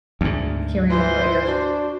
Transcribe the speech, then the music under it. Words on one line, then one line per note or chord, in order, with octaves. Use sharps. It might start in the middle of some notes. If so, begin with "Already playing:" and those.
hearing about your
D2 G#2
E3 F4 C5
D4 F#4